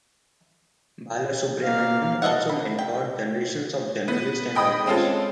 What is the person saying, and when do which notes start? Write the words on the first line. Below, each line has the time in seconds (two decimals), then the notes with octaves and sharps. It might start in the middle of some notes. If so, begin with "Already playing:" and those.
Balasubramanian also mentored generations of journalists and writers.
1.64 A#3 F5
2.22 A4 A#4 D#5 E5 F#5
2.49 B5
2.79 G5
4.08 B3
4.55 D#5 G5 B5 D#6
4.86 G#3 C4 C#4 F4 A4